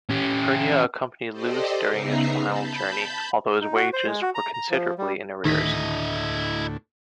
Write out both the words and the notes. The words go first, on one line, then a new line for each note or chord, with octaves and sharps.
Pernia accompanied Lewis during his final journey, although his wages were considerably in arrears.
C#4 G4
G4 A4 C5 D5 D#5
C#3 B3 D#4 E5 A#5 C7
A5 B5 G6
D#4
F#4
C5
G#3
F#4
A#5
A#5
F3
G3
D2 A2 D#3 E4 D#5 B6